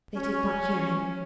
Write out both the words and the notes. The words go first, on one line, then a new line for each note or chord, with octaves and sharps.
They did not hear him.
C#4